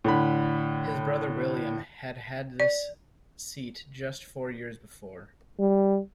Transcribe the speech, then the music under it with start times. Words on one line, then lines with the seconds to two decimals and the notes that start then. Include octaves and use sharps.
His brother William had had this seat just four years before.
0.04 A2 D3 B5
2.60 D5
5.60 G3